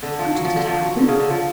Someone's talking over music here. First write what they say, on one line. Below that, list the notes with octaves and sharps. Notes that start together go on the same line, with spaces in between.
How did it happen?
D3
F3
F#3
F3
D3
F3
F#3
D3
C#3
D3
F3